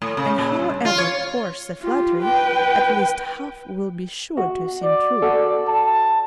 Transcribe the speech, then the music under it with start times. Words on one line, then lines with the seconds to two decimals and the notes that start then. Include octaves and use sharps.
And however coarse the flattery, at least half will be sure to seem true.
0.02 A2
0.17 C#3
0.39 A#2
0.59 G2
0.85 F4
0.98 C#5
1.81 F4 G4
2.19 B4 G5
4.37 F#4
4.83 D5
5.22 F#4 A4
5.68 A5